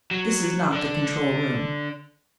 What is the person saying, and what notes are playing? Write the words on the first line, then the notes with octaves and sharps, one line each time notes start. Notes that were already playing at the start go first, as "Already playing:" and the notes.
"This is not the control room."
F#3
D3 D4